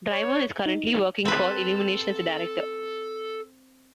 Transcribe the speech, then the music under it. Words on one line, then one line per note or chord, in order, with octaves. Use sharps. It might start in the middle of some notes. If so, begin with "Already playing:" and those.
Drymon is currently working for Illumination as a Director.
C#5
D#4
C4 A4 B4 A5